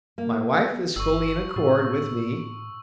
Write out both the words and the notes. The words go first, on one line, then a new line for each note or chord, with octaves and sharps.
My wife is fully in accord with me.
A#3
G1 C#6 E6
A2